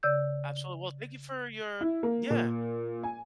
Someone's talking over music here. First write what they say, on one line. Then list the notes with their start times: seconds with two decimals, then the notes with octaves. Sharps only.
Absolutely. Well, thank you for your Yeah.
0.03 C#3 D5 E6 G6
1.81 E4
2.03 A#3
2.30 A#2
3.03 G#5